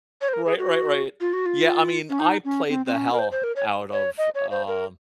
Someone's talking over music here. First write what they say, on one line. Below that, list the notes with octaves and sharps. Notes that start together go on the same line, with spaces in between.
Right. Right. Right. Yeah. I mean, I played the hell out of, um,
C#5
C5
A#4
G#4
F#4
F4
F#4
F4
C#4
D#4
C#4
C4
C4
C#4
A#4
C5
C5
A#4
C#5
C#5
D#5
C#5
C5
A#4